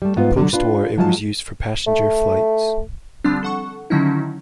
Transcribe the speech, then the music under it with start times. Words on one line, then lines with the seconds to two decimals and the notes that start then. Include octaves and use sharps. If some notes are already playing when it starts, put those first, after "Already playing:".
Post war it was used for passenger flights.
0.02 G3 A3
0.16 G#2 B3 F4
0.37 D3 F#3
0.53 D4 F4 B4
0.97 F3 F#3 G#3 F4 D5 A5
1.87 A3
3.24 D3 F3 G3 C4 D4
3.43 A4 F#5 C#6
3.90 D3 D#3 F#3 C#4 D#4 E4